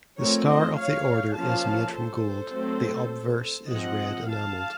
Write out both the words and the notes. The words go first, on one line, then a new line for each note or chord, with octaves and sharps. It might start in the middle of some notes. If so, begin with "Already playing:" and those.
The star of the Order is made from gold, the obverse is red enameled.
F3 A3 C4 A#4 C#5
C5 D#5
C#5 F5
F3 A#3 C#4 F5 A5
A4 C5
F#3 A3 C4
F3 C4 D#5 F#5
F5 A5